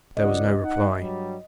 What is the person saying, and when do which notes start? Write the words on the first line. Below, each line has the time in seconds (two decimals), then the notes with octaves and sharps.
There was no reply.
0.17 C#2 D5 D#5 F#5
0.61 D#4 F#5
0.99 G2 F#3 G3